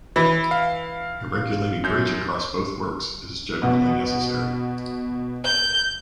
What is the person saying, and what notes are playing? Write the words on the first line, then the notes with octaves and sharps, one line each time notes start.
A regulating bridge across both works is generally necessary.
E3
F5
F#2 G6
B2 B3
G6